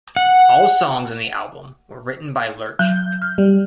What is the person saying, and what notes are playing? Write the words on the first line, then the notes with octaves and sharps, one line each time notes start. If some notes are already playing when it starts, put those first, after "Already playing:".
All songs on the album were written by Lerche.
F#5
F#3 G6
F6
G3